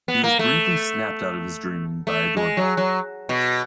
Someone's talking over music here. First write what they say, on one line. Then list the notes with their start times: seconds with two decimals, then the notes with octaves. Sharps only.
He was briefly snapped out of his dreaming by a door bell.
0.08 B3
0.24 A#3
0.39 A3
2.07 A3
2.37 G#3
2.57 F#3
2.77 F#3
3.29 B2